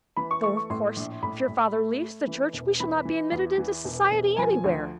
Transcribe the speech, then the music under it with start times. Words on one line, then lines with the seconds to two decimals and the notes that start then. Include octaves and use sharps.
Though, of course, if your father leaves the Church, we shall not be admitted into society anywhere.
0.17 E3 B5
0.31 C#6
0.43 A3 C#6
0.57 C#6
0.70 A2 C6
0.96 A#1
1.23 A2 B5
1.48 A2
1.74 A3
2.00 A3
2.27 E3
2.53 E1
2.80 E3 B5
3.05 E3
3.32 E2
3.58 E3
3.84 E1
4.11 E1
4.37 F3 G#5
4.64 D2